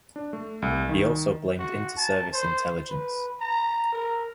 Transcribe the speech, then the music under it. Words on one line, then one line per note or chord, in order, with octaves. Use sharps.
He also blamed Inter Service Intelligence.
D4
A3
C2
D#3
F#4
A5
C5
B4
A#5
A#4